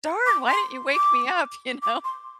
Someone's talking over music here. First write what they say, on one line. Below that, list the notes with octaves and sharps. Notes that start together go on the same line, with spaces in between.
darn! Why didn't you wake me up," you know,
D6
C6
D6
D6
C6